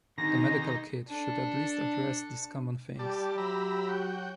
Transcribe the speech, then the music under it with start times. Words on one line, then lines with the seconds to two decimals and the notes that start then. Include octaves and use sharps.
The medical kit should at least address these common things.
0.18 D#2 D3 D#3 C4 D#4 A#6
1.09 D4 A4
2.99 G3 G4 D5 A5
3.38 F#3 E5 A#5 B5
3.88 F#4 G5